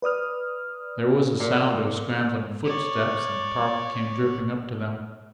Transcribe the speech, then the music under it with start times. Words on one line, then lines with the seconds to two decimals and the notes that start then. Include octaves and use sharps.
There was a sound of scrambling foot-steps and Park came dripping up to them.
0.02 B4 D5 D#6 F6
1.40 A#2
2.65 C#5 D5